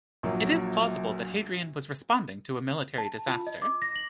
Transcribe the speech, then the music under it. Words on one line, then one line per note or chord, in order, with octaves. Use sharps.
It is plausible that Hadrian was responding to a military disaster.
A#1 A#2 F#3
A5
F4
D#5
D6
A#6
F#7